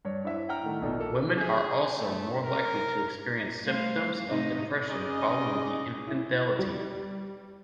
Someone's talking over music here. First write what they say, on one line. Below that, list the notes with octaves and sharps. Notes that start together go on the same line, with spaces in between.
Women are also more likely to experience symptoms of depression following the infidelity.
G2 C#5
D4 E4 C5 E5
F#5 G5 A#5 F6
A2 D#3 A3
A#1 B2 D#4 A4
A#3 A4
G#4
A3
A#4
G3 A3 C5 F5
A2 C3 A3 D#4
C#3 G#4 D5 D#5
E4
G3